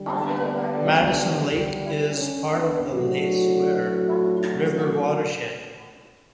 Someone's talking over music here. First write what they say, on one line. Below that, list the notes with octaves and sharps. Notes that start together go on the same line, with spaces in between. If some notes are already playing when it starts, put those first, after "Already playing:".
Madison Lake is part of the Le Sueur River watershed.
Already playing: D3 G3
B3 D4
C#4
B3 D4
A2 F#3 A3 D4 F#4